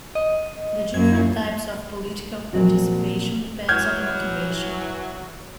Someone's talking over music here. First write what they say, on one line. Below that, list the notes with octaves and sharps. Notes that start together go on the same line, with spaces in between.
The different types of political participation depends on the motivation.
D#5
F#2 A#3 G#6
A#2 F3 F#3 C4 F#4
E3 F#3 F6 G6 G#6